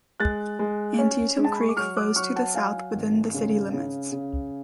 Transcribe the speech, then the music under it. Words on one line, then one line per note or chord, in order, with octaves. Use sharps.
Antietam Creek flows to the south within the city limits.
G#3 F#6 A6
G#3
C#4
G#3
A5
B5
C#6
D6
F#3 C#6 F6
D6 F#6
F#3 C#6 F6
F#5 A5
F#3 F5 G#5
G#1
C#3
C#3
C#3